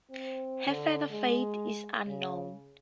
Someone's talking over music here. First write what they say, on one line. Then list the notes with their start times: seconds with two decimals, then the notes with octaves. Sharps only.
Her further fate is unknown.
0.10 C4
0.67 D3
1.11 G#3
2.06 C#3